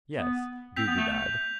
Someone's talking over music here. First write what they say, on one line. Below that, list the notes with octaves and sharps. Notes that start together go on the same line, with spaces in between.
Yes, do bedad.
B3
C4 G6 B6 F7
B3
A3